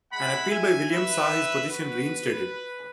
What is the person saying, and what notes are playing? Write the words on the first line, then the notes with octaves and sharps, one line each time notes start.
An appeal by Williams saw his position reinstated.
G#3 E4 F#5 B5
E5 G#5
B4 E5
B3 F#4 B4